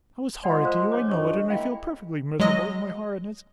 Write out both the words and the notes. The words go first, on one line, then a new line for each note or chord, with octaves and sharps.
I was horrid to you; I know it, and I feel perfectly miserable at my horridness.
F3 G#3 D5 F#5 B5 C6
A#4 C5 F5
D4 C#5 D6
F#2 D3 F3 D4 C#5 D#5 C#6
G#3 A#3 E4 F5 G5 B5
F#3 G#3 D#5